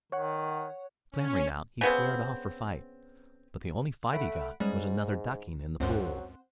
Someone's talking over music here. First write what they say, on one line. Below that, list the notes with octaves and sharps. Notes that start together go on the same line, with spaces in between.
Clambering out he squared off for fight, but the only fight he got was another ducking in the pool.
D#3 C#5 F#5
C#4
C#3 B3 C4
A3 F#5 B5 D7
G#2 G3 G#3 C#4
C#2 F#2 F#3 C4 C5 F#5